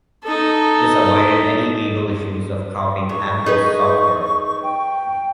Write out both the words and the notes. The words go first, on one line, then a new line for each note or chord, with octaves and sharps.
This avoided any legal issues of copying Apple's software.
D#4 A4
G#2 C#6
D#4 G#4 B4
G5